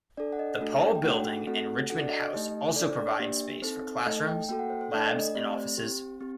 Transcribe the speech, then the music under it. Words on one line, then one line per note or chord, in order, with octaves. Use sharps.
The Paul Building and Richmond House also provide space for classrooms, labs and offices.
D4 A4 D5
F#5
D#5
A3 D4 F#4 A4
G5
A3 D4 F#4 A4 F#5
A3 C4 F#4 A4 F#5
D4 F#4 A4 F#5
D5
D#5
D#5
A3 D#4 G4
D4 A4 D5
C5
D5
A#3 D4 G4
C4 D#4 A4 C5
A3 D#4 A4 D#5
G5
A#3 F#4 A4 G5
F#5
C5
C5
A3 D4 A4 D5
D#5
D#5
A3 C4 G4 D5
C5
C4 G4
C4 G4